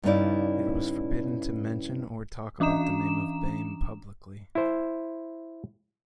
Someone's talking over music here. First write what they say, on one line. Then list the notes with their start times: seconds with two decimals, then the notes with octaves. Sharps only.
It was forbidden to mention or talk about the name of Baiame publicly.
0.03 G2 C#3 C#4 D#4 E4 D5
2.60 E3 C#4 D4 A#5 E7
4.55 E4 C5